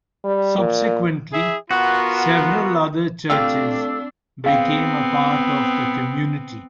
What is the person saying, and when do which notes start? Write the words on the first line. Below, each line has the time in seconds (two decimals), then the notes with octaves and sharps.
Subsequently, several other churches became a part of the community.
0.24 G3
0.58 A#2
1.32 E4 G#4 E5
1.71 B3 F4 F#4 A#4
3.30 A3 C4 D4 F4 G4 F5 E6
4.44 B3 C4 G#4 F5 G5